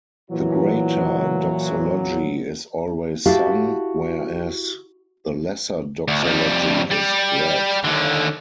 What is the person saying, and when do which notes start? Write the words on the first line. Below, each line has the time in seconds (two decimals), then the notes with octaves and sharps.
The Greater Doxology is always sung, whereas the Lesser Doxology is read.
0.31 A#2 E3 F#3
3.25 E4 F#4 G4 A4 E5 F5
6.08 D2
6.24 F2 G3
6.91 G3 G4
7.85 D#2 D3